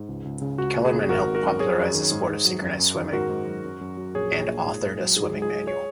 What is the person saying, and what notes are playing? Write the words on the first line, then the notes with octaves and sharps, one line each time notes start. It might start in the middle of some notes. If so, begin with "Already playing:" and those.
Kellermann helped popularize the sport of synchronised swimming; and authored a swimming manual.
Already playing: G#2
C#2
C#2
C#3
C#2 F#4
A#3
G#4
C#3
G#1 F#4 A#4
G#1
F#4 A#4
F#2
F#2 G#4 C#5
F#2
D#3
G#2
G#2
F#3
F#2
F#2
D#3
G#2 F#4 A#4
G#2
F#3
F#2
F#2
F#3
A#1 G#4 C#5
A#1
A#2
G#2
G#2
F#3
G#2 G#4
G#3
G#4
G#3
G#4 C#5